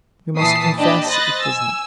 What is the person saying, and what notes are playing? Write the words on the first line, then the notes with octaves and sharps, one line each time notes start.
We must confess it does not.
A#2 E3 A5 D#6 B6 C7
D4 G4 D#5 A5 B5
C5 D#5 B5 F#6 A6 A#6
G#5 E6